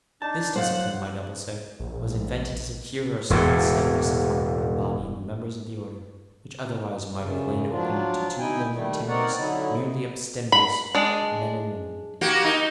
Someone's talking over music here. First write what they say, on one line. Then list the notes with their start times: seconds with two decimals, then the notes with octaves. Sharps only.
This discipline, my double said, was invented to secure a certain stoutness of heart and body in the members of the order, which otherwise might have lain open to too many timorous, merely abstemious, men and women.
0.22 D4 D#4 A5
0.55 F#3 C5 F5 F#5 F#6
1.80 A#1
3.30 E1 E2 A2
7.17 F#2 C#3
7.70 F3 F#3 D4 F4
8.39 D2 D#4 E4 G5 G#5
8.73 D#3 G3 A3
9.08 C4 D#4 A#4 C#5 D5 F#5
9.37 D3 F#3 D#4 E4
10.52 B5
10.95 G#3 D4
12.21 A#3 F#4 G4
12.44 D#4